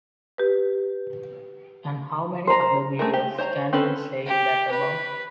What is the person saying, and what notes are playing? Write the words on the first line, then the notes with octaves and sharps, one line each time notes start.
And how many other videos can you say that about?
G4 B4
C5 A#5
A3 G#4 A#4
G4
C5 C#5 A#5
C4 C#4 A4 B4 B5
G4
B4